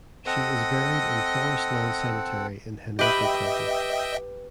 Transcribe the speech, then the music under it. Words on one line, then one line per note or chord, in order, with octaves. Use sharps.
She is buried in Forest Lawn Cemetery in Henrico County.
C4 A4 D#5 F#5
G4 B4 D#5 E5 G5